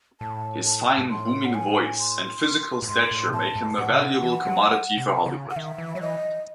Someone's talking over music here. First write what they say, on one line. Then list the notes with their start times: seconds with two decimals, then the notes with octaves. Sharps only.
His fine, booming voice and physical stature make him a valuable commodity for Hollywood.
0.21 A2 A5
0.65 A5
0.98 G#2
1.10 A2 C6
1.45 F#5
1.54 G#5
1.99 C6
2.82 A2
2.89 G#2 C6
3.11 A2
3.29 C3
3.33 A2 A5
3.55 G#2
3.78 A2 F#5
3.90 C#3
4.00 C3
4.22 E3
4.45 F#3
4.97 C3
5.26 C#3
5.50 F#5
5.56 D#3 E5
5.78 E3
5.95 F#3 C#5
6.01 E3 D#5